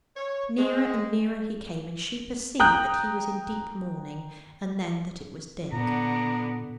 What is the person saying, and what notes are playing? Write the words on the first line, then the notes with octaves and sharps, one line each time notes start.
Nearer and nearer he came, and she perceived that he was in deep mourning, and then that it was Dick.
C#5
G#3
G5 A#5 D#6 F#6 G6
A#2 D3 B3 A#5